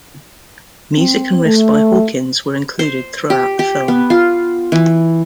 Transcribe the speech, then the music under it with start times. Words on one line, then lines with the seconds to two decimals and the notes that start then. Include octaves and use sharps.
Music and riffs by Hawkins were included throughout the film.
0.97 C4
1.45 A3
2.79 C5
3.30 G4
3.59 G4
3.88 B3
4.10 F4
4.72 E3